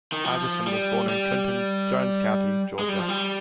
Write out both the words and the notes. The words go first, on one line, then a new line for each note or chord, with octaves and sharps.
Iverson was born in Clinton, Jones County, Georgia.
D#3
F3
G3
G3
G#3
G3
F3
G3